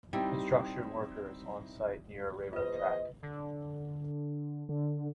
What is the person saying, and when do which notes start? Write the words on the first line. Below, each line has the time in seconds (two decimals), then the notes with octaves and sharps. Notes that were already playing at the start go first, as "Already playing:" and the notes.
Construction workers on site near a railroad track.
0.13 G3 C4 D#4 E4
2.53 E2 F4 B4 C5 D#5
3.22 D3
4.69 D3